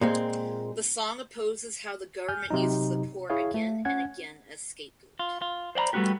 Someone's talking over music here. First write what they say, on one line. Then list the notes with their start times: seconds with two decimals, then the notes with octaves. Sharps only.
The song opposes how the government uses the poor again and again as scapegoat.
0.01 A#2 G#3 C4
2.28 G#5 F6 G6
2.50 C3 F#3 D#4
3.30 E4 G#4 C#5 F5
3.54 A3
3.85 C#4 F#5 G#6
5.19 F4
5.42 F4
5.75 C5 D5 F#5 A#5 B5
5.93 G3 A3 B3 C#4 F#4 G4